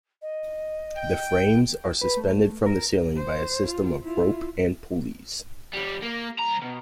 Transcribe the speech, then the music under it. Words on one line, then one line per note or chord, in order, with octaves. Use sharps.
The frames are suspended from the ceiling by a system of rope and pulleys.
D#5
G5
B4
A3
A#4
C5
F4
E4 F4
D#2 G3
A#3
C2 A#5
B2